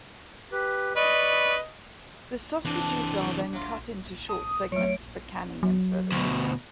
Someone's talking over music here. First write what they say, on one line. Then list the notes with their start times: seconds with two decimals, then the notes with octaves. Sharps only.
The sausages are then cut into short segments for canning and further cooking.
0.52 G4 B4
0.96 B4 D5 D#5 B5 C#6
2.65 E3 C4 D4
3.53 F#3 F4
4.29 A5 D#6
4.72 F#3 A3 C#5 D7
5.63 F#3
6.12 D2 B2